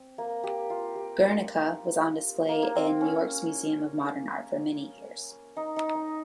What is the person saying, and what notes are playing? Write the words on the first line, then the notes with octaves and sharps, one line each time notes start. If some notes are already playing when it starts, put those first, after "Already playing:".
"Guernica" was on display in New York's Museum of Modern Art for many years.
Already playing: C4
A#3
G4
F4
G4
A#3
A#3
C4
C#4
C#4
D#4
D#4
D#4